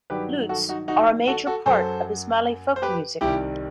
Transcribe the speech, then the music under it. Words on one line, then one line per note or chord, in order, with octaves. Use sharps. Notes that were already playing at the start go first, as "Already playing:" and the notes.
Lutes are a major part of Ismaili folk music.
G2 D#3 F#3 G4 B4
F#4 A4
D#4 F#4
D#4 F#4
F#4 A4
F#4 A4
F#2 F#3 A4 C5
C5
G4 B4
C2 C3 D#3 G3 E4 G4